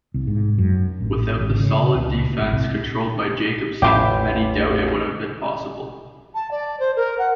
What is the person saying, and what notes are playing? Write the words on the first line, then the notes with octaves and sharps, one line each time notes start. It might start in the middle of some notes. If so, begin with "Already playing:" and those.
Without the solid defence controlled by Jakobsson, many doubt it would have been possible.
C2
G#2
F#2
A1
G#1
C#3
C#2
G#1
C2
A1 E2 A2 E4 F4 G4
A5
D5
C5
A#4
F#5